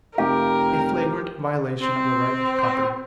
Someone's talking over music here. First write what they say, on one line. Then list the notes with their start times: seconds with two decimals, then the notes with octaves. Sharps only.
A flagrant violation of the right of property.
0.18 F1 G4 A#4 F5
1.81 C4